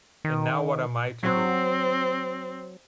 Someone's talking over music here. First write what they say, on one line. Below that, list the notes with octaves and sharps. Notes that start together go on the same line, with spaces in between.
And now what am I to do?
D#3
F#3 C4